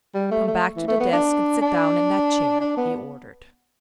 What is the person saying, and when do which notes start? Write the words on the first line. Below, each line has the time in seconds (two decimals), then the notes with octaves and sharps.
"Come back to the desk and sit down in that chair!" he ordered.
0.15 G3
0.31 A3
0.48 A3
0.76 E3
0.88 A3
1.00 B3
1.13 D4
1.62 D4
2.61 D4
2.77 B3